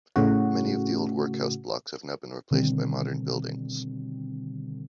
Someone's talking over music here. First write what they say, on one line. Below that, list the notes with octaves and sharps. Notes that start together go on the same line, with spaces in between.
Many of the old workhouse blocks have now been replaced by modern buildings.
A2 C#3 F#4
B2 D3 D#3 G3 C4